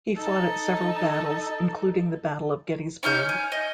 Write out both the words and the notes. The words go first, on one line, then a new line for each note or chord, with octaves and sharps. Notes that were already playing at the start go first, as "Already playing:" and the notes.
He fought at several battles, including the Battle of Gettysburg.
D#4 A4
C#4 D#4 F6 G6
G#5
D#5